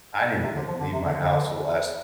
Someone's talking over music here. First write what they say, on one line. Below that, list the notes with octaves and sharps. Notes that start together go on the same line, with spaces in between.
I didn't even, like, leave my house for the last.
C3
D3
F3
D3
C3
D3
D3